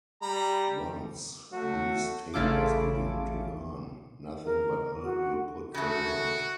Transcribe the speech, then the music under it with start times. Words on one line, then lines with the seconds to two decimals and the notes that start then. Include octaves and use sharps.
Once these tapers begin to burn, nothing but milk will put them out.
0.22 G3 A#5 B5
1.52 F#3 A3 F#4
2.34 A1 C#3 E4 F4 A4 D6
4.45 A#4
5.03 F#4
5.74 C#3 A3 F#4